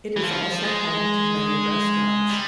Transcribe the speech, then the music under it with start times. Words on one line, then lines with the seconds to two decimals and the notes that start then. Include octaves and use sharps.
It is also home to many restaurants.
0.16 E3
0.23 F3
0.64 G#3
2.29 G3